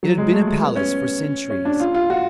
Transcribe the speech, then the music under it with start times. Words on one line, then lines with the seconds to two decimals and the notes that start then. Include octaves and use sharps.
It had been a palace for centuries.
0.03 F#3
0.18 G#3
0.32 A3
0.47 A3
0.62 B3
0.76 C#4
1.50 C#4
1.65 D4
1.80 F4
1.95 F4
2.10 F#4